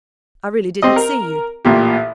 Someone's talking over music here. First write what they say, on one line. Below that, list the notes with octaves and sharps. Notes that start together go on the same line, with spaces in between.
I really didn't see you.
C4 G4 D#5
A#4
A1 A#2 G4